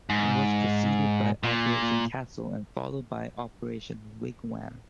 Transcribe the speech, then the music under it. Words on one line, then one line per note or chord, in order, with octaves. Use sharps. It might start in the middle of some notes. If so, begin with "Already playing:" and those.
It was preceded by "Operation Castle", and followed by "Operation Wigwam".
G#2
A#2